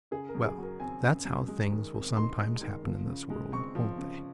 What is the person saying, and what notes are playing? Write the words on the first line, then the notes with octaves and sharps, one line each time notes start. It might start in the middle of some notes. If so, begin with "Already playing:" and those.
Well, that's how things will sometimes happen in this world, won't they?
C#3 G#4
A#4
F#2
G#4
F#3 A#4
C4 G#5
C#3
F#2
G#3
D#3
C4
D#4 C6
G#3
D#3
F3
C#3
G#3
C4 C#6
F3
C#3